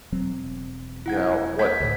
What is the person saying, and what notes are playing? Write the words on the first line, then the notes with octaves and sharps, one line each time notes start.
you know, what
E1 F#3 C4
E4 F#5 G#6
G6 G#6 B6
D2 A2